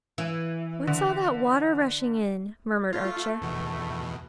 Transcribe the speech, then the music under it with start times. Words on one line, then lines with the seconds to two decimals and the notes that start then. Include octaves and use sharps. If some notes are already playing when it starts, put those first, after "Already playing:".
"What's all that water rushing in?" murmured Archer.
0.18 E3
0.87 D3
2.93 A3 F4
3.42 E2 B2